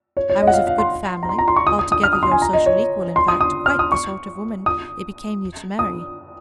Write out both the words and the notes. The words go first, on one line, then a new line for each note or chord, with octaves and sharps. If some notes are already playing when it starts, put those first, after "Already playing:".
I was of good family--altogether your social equal, in fact, quite the sort of woman it became you to marry.
C#5
C#5
D#5
F#5
F5
F5
C6
A#5
C6
A#5
C6
C#6
D#6
D#6
D#6
F6
D#6
C6
G#5
A#5
D#5
C#5
C6
D#6
D#6
F6
D#6
C#6
D#6
D#6